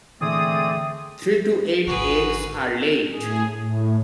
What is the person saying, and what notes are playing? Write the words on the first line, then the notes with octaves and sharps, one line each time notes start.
Three to eight eggs are laid.
A#2 D3 E3 A3 C4 G#4 D5 D#6
G#1 D3 F#4 G#4 B4
A2 G#4
A2